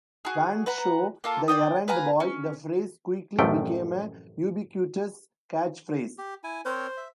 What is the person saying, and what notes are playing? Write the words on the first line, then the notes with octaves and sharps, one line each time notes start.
Van's show, "The Errand Boy": The phrase quickly became a ubiquitous catch-phrase.
F#4 G#4
B4 F#5 A#5
A#3 F4 A4
D5 D#5 G5 D#6
B4 F5 G#5 A#5
C#4
A1 F#2 C3 F3 A3 G5
G4
E4 G#5
C4 A#4 C5 C#5
E5